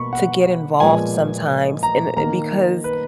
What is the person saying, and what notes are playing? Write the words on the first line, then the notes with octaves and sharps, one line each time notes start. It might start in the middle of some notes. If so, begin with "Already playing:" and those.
to get involved sometimes in uh, because
Already playing: B2 A#3 B5 C#6
F#5
A#2 F3 G#3 B3 G#5
A#5
D#3 A#3 A#5
B4